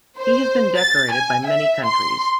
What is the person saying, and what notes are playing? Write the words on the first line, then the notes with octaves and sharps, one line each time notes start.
He has been decorated by many countries.
C5
A6
G#5
E5
C6